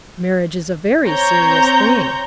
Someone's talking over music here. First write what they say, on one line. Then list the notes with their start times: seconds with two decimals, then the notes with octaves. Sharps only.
"Marriage is a very serious thing."
1.05 C4 C#5 A#5 G6